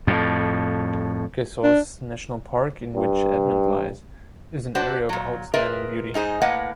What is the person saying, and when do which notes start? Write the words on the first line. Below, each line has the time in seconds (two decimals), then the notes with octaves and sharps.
Gesause National Park, in which Admont lies, is an area of outstanding beauty.
0.07 F2 A2
1.63 D4
2.96 G2
4.75 D4 F#4 B4 C5 D5
5.09 A#2 F#3
5.54 F4 G#4 A#4 B4 D#5 E5
6.14 G#2 D#4 G#4 C5
6.41 A2 A#3 B4 D#5 F#5